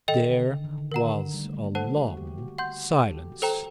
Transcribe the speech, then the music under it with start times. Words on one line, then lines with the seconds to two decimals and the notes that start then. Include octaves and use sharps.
There was a long silence.
0.08 D#3 A4 D#5 G5
0.29 D3
0.50 D3
0.64 D#3
0.78 D3
0.91 D#3 A#4 F#5 A#5
1.05 D3
1.20 D#3
1.34 G3
1.44 A3
1.54 G3
1.64 A#3
1.75 A3 A4 C5 F#5 A5
1.96 F#4
2.17 G4
2.27 G4
2.38 F#4
2.48 G4
2.58 F#5 C6 G6
3.00 A4
3.11 G4
3.21 G4
3.32 F#4
3.42 A4 C5 G5 A#5